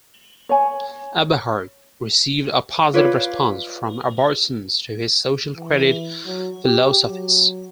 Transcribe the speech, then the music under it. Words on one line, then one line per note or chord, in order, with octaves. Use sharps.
Aberhart received a positive response from Albertans to his social credit philosophies.
C#5 G#5
F4 B4 C#5 D5
E3
F#3
G4
F#3